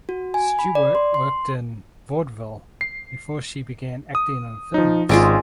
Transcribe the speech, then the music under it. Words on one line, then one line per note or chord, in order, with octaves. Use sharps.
Stewart worked in vaudeville before she began acting in films.
F#4
G#5
B5
D5
C6
C6
C7
D#6
F3 D#4
G#1 G#3 C#4 F4 D7